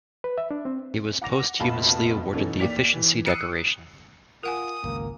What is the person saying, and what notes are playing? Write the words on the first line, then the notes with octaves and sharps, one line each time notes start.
He was posthumously awarded the Efficiency Decoration.
B4
E5
D4
C4
F#5 D6 A#6 F7
F1 A#1 B2 F4 A5 B5
B2 E3 C#4 D#4 A4
D#2 D5 B6 F7
E3
D#6 E6 F#6 C7 C#7 D#7
F4 A#4 F#5 G#5 D#6
G#1 C#2 A#3